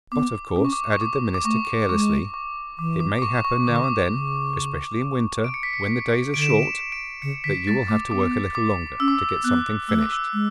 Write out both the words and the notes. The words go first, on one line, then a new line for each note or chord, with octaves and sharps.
'But, of course,' added the minister carelessly, 'it may happen now and then, especially in winter, when the days are short, that you will have to work a little longer, to get something finished.'
B3 D6
C#4 D6
C#6
D6
C#6
D6
D6
A3 C#6
G#3 C#6
C#6
E3 D6
D6
D6
C#6
C#6
D3 D6
C#6
D6
C#3
D7
C#7
B6
C#7
D3 D7
E7
D7
E7
D7
C#3 C#7
D3 B6
B6
G#3 A6
A3 D6
B3 D6
D6
C#4 E6
D6
E6
B3 F#6
A3 E6
D6
E6
G#3